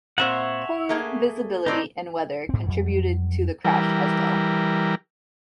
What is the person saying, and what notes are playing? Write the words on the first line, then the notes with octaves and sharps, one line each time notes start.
Poor visibility and weather contributed to the crash as well.
A#2 C4 C5 C#5 E5 F#5
A3 A#3 G#4
A2 C4 D#4 D5
G#2 C4
F2 F#3 G3
E3 G3 A#4